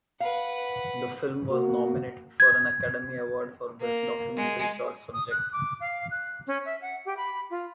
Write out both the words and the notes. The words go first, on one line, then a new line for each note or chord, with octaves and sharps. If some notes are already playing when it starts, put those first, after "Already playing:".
The film was nominated for an Academy Award for Best Documentary Short Subject.
B4 F5 F#5
A#3 F#4
G#6
A#3
G#3
D#6
F#6
D6
F5
F#6
C#4
E5
F#5
G4
B5
F4